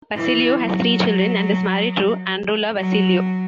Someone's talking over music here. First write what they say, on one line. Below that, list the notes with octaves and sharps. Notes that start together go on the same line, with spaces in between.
Vassiliou has three children and is married to Androulla Vassiliou.
E3
F#3
F#3